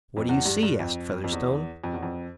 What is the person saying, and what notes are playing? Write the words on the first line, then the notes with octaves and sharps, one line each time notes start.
"What do you see?" asked Featherstone.
F2
E2
G2
G2
F2
F2
E2
F2
E2
F2